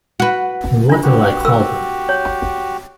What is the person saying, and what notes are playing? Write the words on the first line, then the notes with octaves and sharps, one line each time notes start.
What'll I call them?
F#4 B4
E2 D4 F4
F#4 G4
A#4 E6
C#5